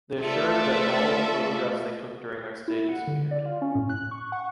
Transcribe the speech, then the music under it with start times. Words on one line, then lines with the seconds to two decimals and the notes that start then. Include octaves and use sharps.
They assured that all the photographs they took during their stay disappeared.
0.19 A3 F4 A4 B4 D5 E5
2.68 E4
2.89 F#5
3.07 D3
3.31 D5
3.45 F4
3.62 C#4
3.75 A2
3.90 F#6
4.11 C#6
4.32 F#5